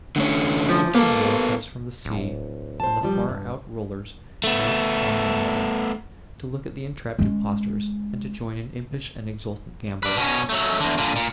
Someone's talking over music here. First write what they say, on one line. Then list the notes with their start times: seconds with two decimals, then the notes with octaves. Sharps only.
A taunting roar comes from the sea, and the far-out rollers mount upon one another, to look at the entrapped impostors, and to join in impish and exultant gambols.
0.16 D3 A3 C#4
0.69 F3
0.95 A#3 B3 A4
2.05 D1
2.80 C5 A5
3.03 F3 G3
3.29 G2
4.44 A3 B3
7.19 G#3 C#4
10.03 B4 D5
10.17 B2 C#4
10.49 F#3 A3
10.80 E2 D3
10.98 A#2 D3
11.16 A#2